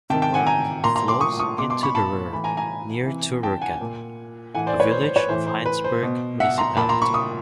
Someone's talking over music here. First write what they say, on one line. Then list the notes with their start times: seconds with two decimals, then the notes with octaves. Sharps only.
The Wurm flows into the Rur near to Rurkempen, a village of Heinsberg municipality.
0.10 C3 D#3 G5 A5
0.22 G5 A5
0.34 F#5 G#5
0.47 G#5 A#5
0.84 A#2 A#5 C6
0.96 A#5 C6
1.08 C6 D6
1.21 C#6 D#6
1.39 C#6 D#6
1.58 B2 C6 D6
1.70 C6 D6
1.83 B5 C#6
1.95 A5 B5
2.33 A2 E3 B5
2.44 G#5 A#5
2.57 G#5 A#5
3.06 C3 E3
3.43 G5 A5
3.61 F#5 G#5
3.81 A#2
4.55 A2 E3 F#5 G#5
4.67 C5 D5
4.79 B4 C#5
4.92 C5
5.04 C5
5.16 B4 C#5
5.29 A2 E3 C5
5.47 C5
5.66 B4
5.84 C5
6.03 B2
6.40 E5 F#5
6.58 A#5 C6
6.77 A#2 A5 B5
6.89 A#5 C6
7.02 B5 C#6
7.14 C#6 D#6